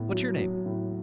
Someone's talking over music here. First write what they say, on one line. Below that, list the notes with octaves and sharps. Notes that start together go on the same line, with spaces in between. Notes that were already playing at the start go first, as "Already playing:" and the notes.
What's your name?'
Already playing: A2 B3
F#3
F#3
A2